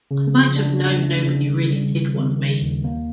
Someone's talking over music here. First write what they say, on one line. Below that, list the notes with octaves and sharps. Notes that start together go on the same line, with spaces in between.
I might have known nobody really did want me.
C#3
F3
D4
D4
A3
C#3
G3
G3
D#3
D#3
D#3
D#2
A#3